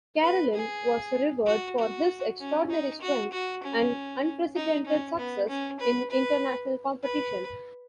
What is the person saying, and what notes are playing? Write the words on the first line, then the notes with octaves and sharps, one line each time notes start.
Karelin was revered for his extraordinary strength and unprecedented success in international competition.
B4
G#4
F#4
F#4
C#4
D#4
F#4
F#4
C#4
D#4
C#4
B3
C#4
B4
B4
B4